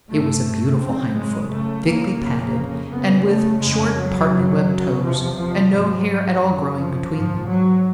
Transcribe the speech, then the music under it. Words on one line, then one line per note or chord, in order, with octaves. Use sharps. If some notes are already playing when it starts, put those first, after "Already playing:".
It was a beautiful hindfoot, thickly padded, and with short partly webbed toes, and no hair at all growing between them.
G2 A3
F#2 C#3 C4
G#3
F#2 C#3 A3
A#3
F2 C#3
F#2 C#3 B3
A3
F2 C#3 G#3
F#3
F#2 C#3
E2 C3 F3
F3
G#2 F#3
F#2 C#3
F3
G#2 F3
F#3